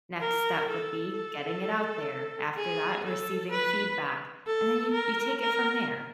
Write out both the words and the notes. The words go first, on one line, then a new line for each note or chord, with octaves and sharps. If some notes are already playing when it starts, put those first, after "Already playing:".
Next step would be getting it out there. After that, receiving feedback. And then you you take it from there.
A#4
A4
A4
G#4
A4
B4
A4
A#4
A#4